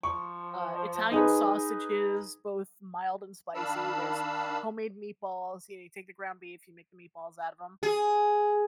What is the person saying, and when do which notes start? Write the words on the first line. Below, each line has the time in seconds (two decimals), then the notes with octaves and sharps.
uh, Italian sausages, both mild and spicy, there's homemade meatballs, y'know you take the ground beef, you make the meatballs out of 'em.
0.03 F3 C#6
1.12 D#4 G#4 B4
3.54 D#3 D4 F5 A5 B5 E6
7.83 G#4